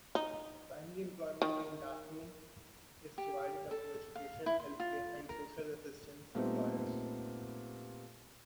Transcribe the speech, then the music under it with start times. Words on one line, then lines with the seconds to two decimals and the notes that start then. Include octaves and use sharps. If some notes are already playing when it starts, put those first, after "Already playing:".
Primary employment in Daphne is divided among education, healthcare and social assistance employers.
0.15 D#4
1.42 D#3
3.18 G4
3.71 A4
4.15 F5
4.46 E4
4.60 C6
4.80 F4
5.29 A#4
6.35 A#2 G3 A3 B3 C4 D#4